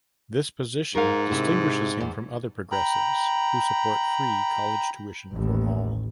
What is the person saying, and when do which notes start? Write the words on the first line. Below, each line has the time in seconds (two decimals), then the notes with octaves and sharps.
This position distinguishes him from other progressives who support free college tuition for all.
0.95 G#2 A#4 F5
1.31 C3 E4
2.00 E2
2.72 G5 A#5 B5
5.32 A1 D#2